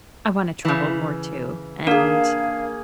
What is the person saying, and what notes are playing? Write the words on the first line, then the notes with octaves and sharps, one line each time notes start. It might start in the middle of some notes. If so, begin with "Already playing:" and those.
I wanna travel more, too, and
C#3 E3
A#3 D4 G#4 A#4 F5